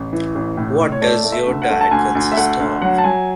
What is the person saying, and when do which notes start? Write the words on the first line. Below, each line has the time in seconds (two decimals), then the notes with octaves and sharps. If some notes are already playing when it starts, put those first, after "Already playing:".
What does your diet consist of?
Already playing: A1
0.13 E3
0.35 A1
0.57 A2
0.80 A2
0.92 C#5
1.02 A3 D5
1.24 A3
1.32 E5
1.46 D2
1.62 F#5
1.70 A3
1.81 A5
1.91 D2 G#5
2.15 D2
2.32 E5
2.37 A3 F#5
2.60 D2
2.82 F#3 F#5
2.98 A5
3.04 F#3 G#5